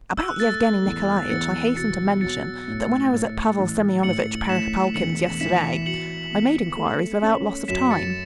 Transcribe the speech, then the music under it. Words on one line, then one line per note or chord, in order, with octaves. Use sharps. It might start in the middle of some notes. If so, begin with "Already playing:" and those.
About Yevgeny Nikolaitch I hasten to mention that when I was at Pavel Semyonovitch Perepalkin's yesterday I made inquiries without loss of time.
E6
F#6
A3 A6
E2
E2 A6 C#7
B2 A6 C#7
F#3 A6 C#7
A2
A2
A1
A2 C#7 F#7
A2 B6 E7
E7
E1 C#7 F#7
E3 B6 E7
F#4 C#7 F#7
B3
A3
C#4
F#2 B6 E7
A6 C#7